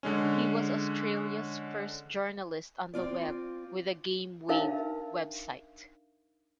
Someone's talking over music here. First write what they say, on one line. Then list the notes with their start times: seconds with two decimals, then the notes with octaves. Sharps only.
He was Australia's first journalist on the web with the GameWave website.
0.03 D3 G#3 C#4
2.94 C4 F4 D5
4.49 D4 D#4 A#4 B4 E5 F5